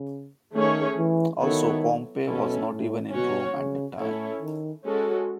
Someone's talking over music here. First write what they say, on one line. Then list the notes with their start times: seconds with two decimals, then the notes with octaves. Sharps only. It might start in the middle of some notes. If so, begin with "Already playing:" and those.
Also Pompey was not even in Rome at the time.
Already playing: C#3
0.54 D#3 A3 C#4 G#4 C#5
0.97 E3
1.40 D#3 F#3 B3 E4 A4 C#5
2.26 B2 C#4 E4 A4
2.69 A2
3.13 B2 C#4 F#4 C#5
3.56 C#3
3.98 A2 C#4 E4 A4 C#5
4.42 D#3
4.84 G#3 C#4 F#4 A4